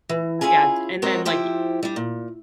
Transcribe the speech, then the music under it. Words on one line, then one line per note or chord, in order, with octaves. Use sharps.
Yeah d and then, like
E3
C#4 E4 F4 G#4 G#5
G#3 C4 F#4 A#4 C#5
F3 E4 G4 C5
G3 D4
A#2